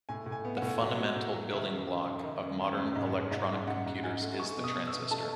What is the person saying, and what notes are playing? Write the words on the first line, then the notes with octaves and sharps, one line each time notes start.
The fundamental building block of modern electronic computers is the transistor.
A2 G#5
A2
G#5
B3
A2 F#5
F#3
F#3
A2
F#3
D#3 E5
F#2
F#2
D#3
D#3
F#2
F#2
F#2
G#2
G#2
G#2
G#2
G#2 F#5
G#2
G#2 G#5
A3
A3 C#6
B2
D#6
B2
E6
B2
A3 A5